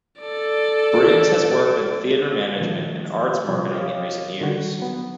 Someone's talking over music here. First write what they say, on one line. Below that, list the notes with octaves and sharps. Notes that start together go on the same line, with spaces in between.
Briggs has worked in theatre management and arts marketing in recent years.
A4 D5
A#2 D#3 F3 A3
C3 F3 G3 C4
G4 C#5 D#5 F5 D6 D#6
D3 D#3 G3 F#4
F#3 B3